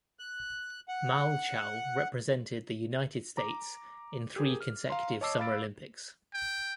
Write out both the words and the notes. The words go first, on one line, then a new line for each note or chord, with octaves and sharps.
Malchow represented the United States in three consecutive Summer Olympics.
F#6
F#5
A#5 D6
G4 G#4 A#4
F6
F5 A#5 C6
C#5 D#5 A5 D6 E6 C7
F5 B5 A6 D7
G5